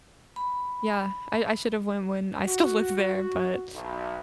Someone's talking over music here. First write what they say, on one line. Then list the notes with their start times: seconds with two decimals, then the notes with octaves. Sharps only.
Yeah. I I should have went when I still lived there, but
0.36 B5
2.44 F#4
3.74 B1